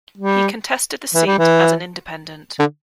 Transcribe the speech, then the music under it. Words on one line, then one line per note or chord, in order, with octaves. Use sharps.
He contested the seat as an independent.
G3
E3
G3
E3
D3